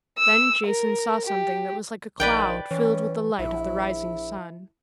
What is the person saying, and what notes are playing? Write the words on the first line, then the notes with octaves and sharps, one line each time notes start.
Then Jason saw something that was like a cloud filled with the light of the rising sun.
E6
A#4
G4
A#1 D#3 B4 D5 G5
E3 C#4
A#1 E4